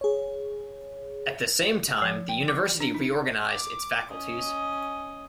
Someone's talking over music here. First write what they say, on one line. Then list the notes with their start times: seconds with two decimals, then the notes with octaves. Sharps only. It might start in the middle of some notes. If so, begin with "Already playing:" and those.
At the same time, the university reorganized its faculties.
0.01 G#4 C#5
2.02 F3
2.29 G5
2.48 D6
2.80 D4
2.94 D#4
3.45 D6
4.11 C#4 D#5